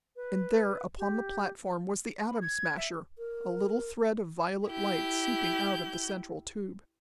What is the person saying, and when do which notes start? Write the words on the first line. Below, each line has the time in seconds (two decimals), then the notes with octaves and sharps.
And there upon the platform was the Atom Smasher, a little thread of violet light seeping out of the central tube.
0.16 B4
0.98 G4
2.27 B5
2.41 G#6
2.77 E5
3.18 A#4
4.68 E4 G4 G6